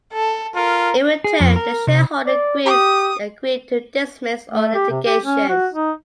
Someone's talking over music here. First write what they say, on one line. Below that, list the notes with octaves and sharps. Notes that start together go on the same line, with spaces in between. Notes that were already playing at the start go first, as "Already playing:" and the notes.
In return, the shareholder group agreed to dismiss all litigation.
A4
F4 A#4
G#4
F2
A#4
C3
D5
G4 D#6
A3
G4
C3
G4
C#4
F#4
D#4